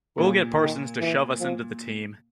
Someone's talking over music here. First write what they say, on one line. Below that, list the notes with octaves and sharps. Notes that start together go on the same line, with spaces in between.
We'll get Parsons to shove us into the team.
A#2 C#3
D#3
E3
F3